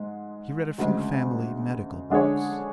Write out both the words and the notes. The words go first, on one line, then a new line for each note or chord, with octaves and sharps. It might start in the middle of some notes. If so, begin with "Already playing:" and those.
He read a few family medical books.
Already playing: G#2 G#3
D2 C#3 G#3
D3 G#3 D4 G#4 C#5